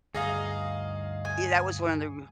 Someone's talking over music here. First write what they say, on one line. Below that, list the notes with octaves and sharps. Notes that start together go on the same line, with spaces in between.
yeah, that was one of the r
D2 G2 D#4 G#4 D#5 F5
G#5